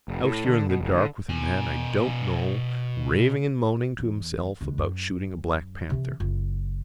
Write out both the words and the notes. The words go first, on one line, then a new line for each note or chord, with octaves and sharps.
Out here in the dark with a man I don't know raving and moaning to himself about shooting a black panther.
F1
A2
D3
B2
F1
D3
B2 G#5
E2
C#2 D4
F#2
C3 E3
F#1 F4